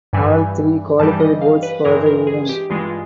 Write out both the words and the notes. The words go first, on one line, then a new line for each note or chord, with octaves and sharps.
All three qualified boats for the event.
G2 E3 G3 G#5
G2 E3 G3 A5
D#5
F5
B4
G2 E3 G#3 A#4
A#4
G#4
G4
G2 E3 G#3 F4